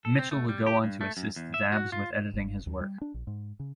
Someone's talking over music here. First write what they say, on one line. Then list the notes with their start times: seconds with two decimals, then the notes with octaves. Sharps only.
Mitchell would go on to assist Dabbs with editing his work.
0.05 A4
0.19 C4
0.31 A3
0.49 G3
0.66 G4
0.84 G2
1.01 A3
1.17 F#2
1.36 E2
1.54 E5
1.72 F#4
1.92 F4
2.34 F#1
2.67 D#2
2.81 G3
3.02 D4
3.14 A#1
3.27 G#2
3.60 C#3